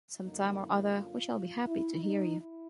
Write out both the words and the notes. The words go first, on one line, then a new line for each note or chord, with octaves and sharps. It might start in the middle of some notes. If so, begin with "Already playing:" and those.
Some time or other we shall be happy to hear you.
F#2 D3 F#3 A#3 D#4
E4
F4
E4
D#4
E4